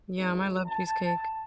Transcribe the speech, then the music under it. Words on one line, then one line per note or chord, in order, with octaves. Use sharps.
Yum, I love cheesecake.
G#1
A5